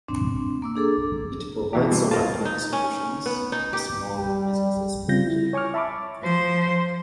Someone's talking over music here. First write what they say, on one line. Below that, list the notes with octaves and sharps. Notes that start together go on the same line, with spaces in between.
It provides solar energy solutions for small businesses in Nigeria.
C4 D4
A#3 D6 E6
D4 G#4 A4 D6
B2 E3 G4
G2 C3
A2 F4 A#4 A5
D#4
C#4
B3
D#4
G4
G3
C#3 G3 C4 F4 G6 A#6
E4
C#5 G#5 C#6 D6 F6
E5 A5 B5 C#6 D6
F3 C5